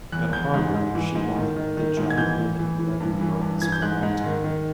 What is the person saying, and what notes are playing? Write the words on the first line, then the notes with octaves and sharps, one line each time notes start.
At Harvard, she won the Jonathan Levy Prize for acting.
E2 F#6
E2 G6
G#2
G#2
E3
G#2
D#3
D#3
D#3
G#2
G#6
E3 G6
E3
E3
E3
G2
E3
G2
E3 G#6
G6
G#2 F#6
G#2
D#3
D#3